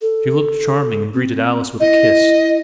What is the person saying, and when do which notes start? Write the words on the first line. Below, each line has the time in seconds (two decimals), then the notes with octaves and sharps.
She looked charming, and greeted Alice with a kiss.
0.02 A4
1.14 C4
1.80 E4 D#5